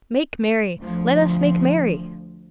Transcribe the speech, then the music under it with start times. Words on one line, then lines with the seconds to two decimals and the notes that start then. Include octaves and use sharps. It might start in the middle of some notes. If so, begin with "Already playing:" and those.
Make merry, let us make merry.
0.80 D2 F3